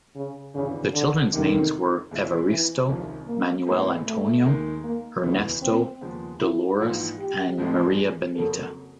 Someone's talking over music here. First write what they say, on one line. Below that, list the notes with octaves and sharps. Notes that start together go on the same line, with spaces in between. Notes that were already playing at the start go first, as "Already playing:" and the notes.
The children's names were Evaristo, Manuel Antonio, Ernesto, Dolores and Maria Benita.
C#3
G#1 G2 C#3 E3
D3
F1 E2 C3 D#3
E2 B2 G#3 C4 E4
E3
C2 C3 D#3 F3 G#3 C#4
A#3
A1 A2 E3 G#3 B3 C4
A3
D#2 D#3 G#3
A#3
E1 D2 C#3 E3 B3
C4
D#2 C#3 F3 G#3 B3
E4
A#1 G#2 E3 F4
G4
A1 A2 F3 G#3 B3
G#4
F2 C#3 F#3 A#3 A4